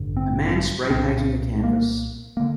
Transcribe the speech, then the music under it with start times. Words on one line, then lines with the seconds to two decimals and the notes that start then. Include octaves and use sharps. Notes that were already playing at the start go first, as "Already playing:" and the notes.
A man spray painting a canvas.
Already playing: A1 G2 D3
0.17 C4
0.90 C2 A#2 C4
1.64 A#3
2.37 D3 A#3